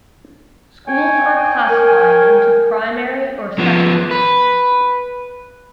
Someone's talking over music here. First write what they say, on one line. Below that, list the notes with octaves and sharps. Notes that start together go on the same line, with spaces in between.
Schools are classified into primary or secondary.
C#5 G5 G#5
A#4
F3 B3
B4